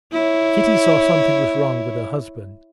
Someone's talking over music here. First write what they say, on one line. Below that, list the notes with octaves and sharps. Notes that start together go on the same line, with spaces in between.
Kitty saw something was wrong with her husband.
E4 C#5